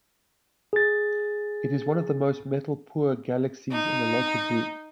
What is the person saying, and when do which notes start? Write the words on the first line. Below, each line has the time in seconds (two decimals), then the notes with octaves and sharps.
It is one of the most metal-poor galaxies in the Local group.
0.73 G#4 A6
3.72 D#4